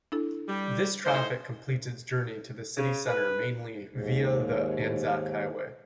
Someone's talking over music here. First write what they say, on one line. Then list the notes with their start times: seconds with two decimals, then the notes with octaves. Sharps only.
This traffic completes its journey to the city centre mainly via the Anzac Highway.
0.12 D4 E4 A4
0.48 G3
1.05 A2 D#4 C5
2.76 C#3
3.07 B4
3.87 D#2 G#2